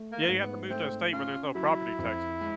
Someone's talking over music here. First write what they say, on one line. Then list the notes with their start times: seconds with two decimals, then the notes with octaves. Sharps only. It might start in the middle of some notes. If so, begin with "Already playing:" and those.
Yeah, you have to move to a state where there's no property taxes.
Already playing: A3
0.12 A#3
0.27 G#2
0.41 B3
0.70 A3 C4
1.13 C#4 F4
1.55 F#3 E4
1.98 F2
2.41 G#3